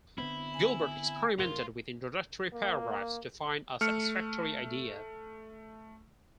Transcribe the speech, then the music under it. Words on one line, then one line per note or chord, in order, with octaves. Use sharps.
Gilbert experimented with introductory paragraphs to find a satisfactory idea.
D3 B3 C4 E4
G#5
F#1 F2 A2 F4 A#4
A#3
A3 F6 C#7